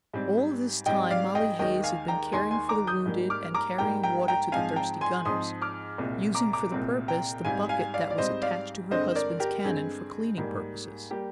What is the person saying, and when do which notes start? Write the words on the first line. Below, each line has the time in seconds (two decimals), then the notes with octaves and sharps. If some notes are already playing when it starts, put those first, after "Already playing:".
All this time Molly Hays had been caring for the wounded and carrying water to the thirsty gunners, using for the purpose the bucket that was attached to her husband's cannon for cleaning purposes.
0.13 G#2 G3 C4
0.86 G#2 G3 C4 D#5 G5
1.11 D5 F5
1.35 D#5 G5
1.59 D#2 D#3 G#3 D#5 G5
1.84 F5 G#5
2.08 G5 A#5
2.32 D#2 D#3 G#3 G#5 C6
2.51 G#5 C6
2.69 A#5 D6
2.87 D#6 G6
3.06 G#2 G3 A#3
3.30 D6 F6
3.54 A#5 D6
3.78 G#2 G3 A#3 G5 A#5
4.03 G5 A#5
4.28 G5 A#5
4.52 G#2 F3 G#3 C4 F5 G#5
4.76 G5 A#5
5.01 G#5 C6
5.25 G#2 F3 G#3 C4 C6 D#6
5.62 D6 F6
5.98 C2 A#2 G#3 C4
6.35 A#5 D6
6.53 A#5 D6
6.72 C2 A#2 G#3 C4
7.08 G5 A#5
7.45 G#2 G3 C4 F5 G#5
7.69 F5 G#5
7.94 D5 F5
8.10 D5
8.18 G#2 G3 C4 C5 D#5
8.42 D5 F5
8.91 G2 D3 G#3 C4 C5 D#5
9.15 A#4 D5
9.40 G4 A#4
9.64 G2 D3 G#3 C4 G#4
10.38 G#2 G3 A#3
11.11 G3 A#3 G4